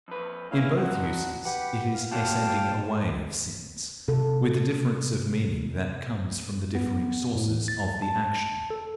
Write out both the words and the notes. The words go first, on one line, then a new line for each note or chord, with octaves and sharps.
In both uses, it is a sending away of sins, with the difference of meaning that comes from the differing sources of the action.
F2 B4
A#2 C#4 E4 F5
D#3 F#4 F#5
G4 B4 F#5
F5
A#3 F#4 C#5 F5 G5 A5
C3 A4
B3
A2
A6
A5
A4